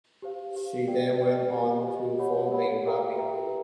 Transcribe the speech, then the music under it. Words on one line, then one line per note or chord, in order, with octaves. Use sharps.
She then went on to form a rapping group.
G4 C5 F5
G4 C5 F5
A#4 D5 G5
A#4 D5 G5
G4 C5 D#5 G#5
G4 C5 D#5 G#5
G4 A#4 C#5 F#5 B5
G4 A#4 C#5 F#5 B5
G4 B4 E5 G5 A#5
G4 B4 E5 G5 A#5